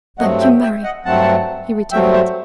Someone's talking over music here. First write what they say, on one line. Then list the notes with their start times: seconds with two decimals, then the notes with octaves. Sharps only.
"Thank you, Mary," he returned.
0.18 G2 F#3 A3 C4 D#5 F#5
0.41 E5 G5
0.62 E5 G5
0.84 D#5 F#5
1.05 G2 F#3 A3 C4 F#5 A5
1.92 G2 F#3 A3 C4 E5 G5
2.13 C5 E5